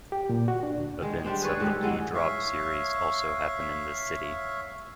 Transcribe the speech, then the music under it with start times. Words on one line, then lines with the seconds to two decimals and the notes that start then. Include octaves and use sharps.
Events of the "Blue Drop" series also happen in this city.
0.12 G4
0.29 A#2
0.48 F#4
0.63 D4
0.78 D2
1.02 D#3 G#3
1.24 G3 D4 C5 G5
1.42 G#4 B4 C#5 D5
1.60 G#2 D#3 G3 A4
1.83 E3 F#3 G#3 D#4
2.14 C#5 E5 F5